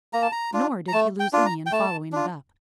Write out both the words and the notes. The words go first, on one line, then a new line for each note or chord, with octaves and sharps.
Nor did he lose any in following it up.
A#3 A#5
A5
A#5
D4 F4
A#5
A3 A5
G5
D4 F4
A#5
G5
A3 A5
D4 F4